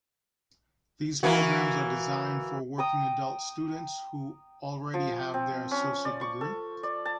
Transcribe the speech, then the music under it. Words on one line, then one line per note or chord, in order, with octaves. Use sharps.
These programs are designed for working adult students who already have their associate degree.
E3 A#3 F#4
G5 A#5 D#6
F3
C4
C#4
D5
C#6
A4
D5
A5